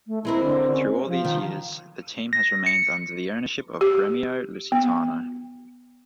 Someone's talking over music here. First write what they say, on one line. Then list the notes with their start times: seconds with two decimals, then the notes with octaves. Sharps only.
Through all these years, the team has remained under the ownership of Gremio Lusitano.
0.07 A3
0.25 G#3 C4 E4 A#4
0.44 D3
0.71 C#4
1.07 F3
1.25 D#3
2.33 A#6
2.66 C#7
3.81 G4
4.72 B3